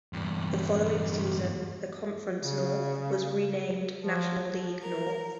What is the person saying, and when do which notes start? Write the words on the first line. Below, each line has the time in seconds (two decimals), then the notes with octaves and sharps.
The following season the Conference North was renamed National League North.
0.13 E2 G2
2.42 C#3
4.02 F3
4.82 A#4